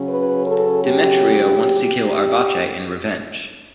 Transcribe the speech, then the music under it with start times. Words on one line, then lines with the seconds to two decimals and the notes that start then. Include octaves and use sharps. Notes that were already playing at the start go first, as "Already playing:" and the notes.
Demetrio wants to kill Arbace in revenge.
Already playing: C#3 F#3 C#4
0.09 B4
0.46 A4
0.83 G4
1.95 G4